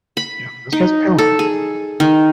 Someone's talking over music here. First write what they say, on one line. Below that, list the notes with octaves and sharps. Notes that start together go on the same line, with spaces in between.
Yeah, those guys pay well.
B5
D#4
A4
G#4
D#3